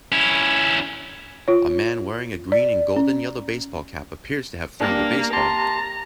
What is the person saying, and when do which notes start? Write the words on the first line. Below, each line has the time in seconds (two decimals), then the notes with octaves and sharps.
A man wearing a green and golden yellow baseball cap appears to have thrown the baseball.
0.12 C#4 E4
1.48 F4 C#5
2.52 D5
2.96 C#4
4.81 A#3 D4 G4
5.33 G4 A5 A#5 C6